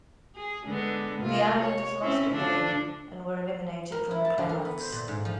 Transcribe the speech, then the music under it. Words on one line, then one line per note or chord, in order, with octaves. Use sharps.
The Islanders lost the game and were eliminated from the playoffs.
G#4
D3 G#3 B3
C3 A#3 F4
C#5
C4 C#4 E4
D3 F3 D4
A#4
E4
A5
D3
A#4
B3
C5
A#2
G#2
F3